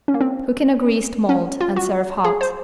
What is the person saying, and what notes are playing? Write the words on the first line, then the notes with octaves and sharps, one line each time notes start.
Cook in a greased mold and serve hot.
C#4
A#3
C4
C#4
F4
F#4
G#4
C5